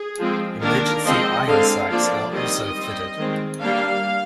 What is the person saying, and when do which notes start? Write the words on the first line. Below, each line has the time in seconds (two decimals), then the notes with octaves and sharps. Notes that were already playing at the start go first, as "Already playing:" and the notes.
Emergency iron sights are also fitted.
Already playing: G#4
0.18 F3 G#3 C4
0.61 D#3 A#3 D4 A#4
1.04 F3 G#3 C4 D#5
1.47 D3 G#3 C4 F5
1.90 F3 A#3 D4 D5
2.33 D#3 G3 C4 D#5
2.75 G3 C4
3.18 D#3 G#3 C4
3.60 G3 A#3 D4 F5